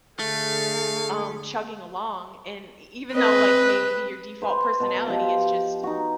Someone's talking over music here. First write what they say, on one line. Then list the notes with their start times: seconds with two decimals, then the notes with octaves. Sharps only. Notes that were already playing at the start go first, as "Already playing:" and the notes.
um, chugging along and e even though like maybe your default personality is just,
0.19 D3 A3 G#4 F5
3.14 C4 B4 D#5
4.42 B4 C5
4.80 B2 A5
5.08 F3 G4 D#5
5.83 D#4 F#4